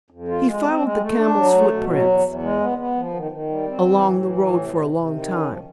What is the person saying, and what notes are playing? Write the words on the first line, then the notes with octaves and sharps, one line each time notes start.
He followed the camel's footprints along the road for a long time.
F2
F4
G#3
C4
G#3
A3
D4
F#3
A3
B2
F#3
E2
E2
G#3
B3
B3
F3
D#3
D#3
G3
C4
E3
A2
E3
A2
C3
C3
C3
D#3
C#4
F3